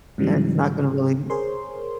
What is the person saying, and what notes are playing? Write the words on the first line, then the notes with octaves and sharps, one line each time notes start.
that's not gonna really m
G#2 C#3 E3 F#3 G3
G#4 A#4 C5 C#5 C6